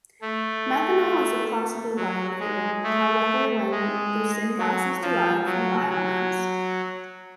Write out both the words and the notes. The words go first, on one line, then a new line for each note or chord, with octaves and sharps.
Methanol is a possible biofuel, however when the syngas is derived from biomass.
A3
F#3
G#3
A3
G#3
F#3
F3
F#3
F#3